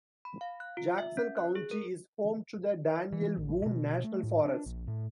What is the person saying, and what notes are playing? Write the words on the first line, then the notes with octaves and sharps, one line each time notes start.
Jackson County is home to the Daniel Boone National Forest.
B5
F5
F#6
F4
E5
C#4
F#6
G#4
A#4
E3
A1
B2
A3
A2
D4
A#1
A2